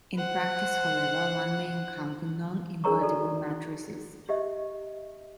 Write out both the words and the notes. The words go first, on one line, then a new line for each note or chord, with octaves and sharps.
In practice however, one may encounter non-invertible matrices.
C5 F#5
D4 G#4 A#4 C#5 A#5 C#6
F#4 A4 D5
G4 D#5 E5